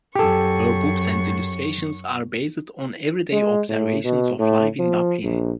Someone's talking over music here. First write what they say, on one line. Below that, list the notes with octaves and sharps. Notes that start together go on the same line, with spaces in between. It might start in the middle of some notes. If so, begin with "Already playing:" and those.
Her books and illustrations are based on everyday observations of life in Dublin.
F#2 G4 A4 C#6
G#3
A2
B2
A2
F3
A#1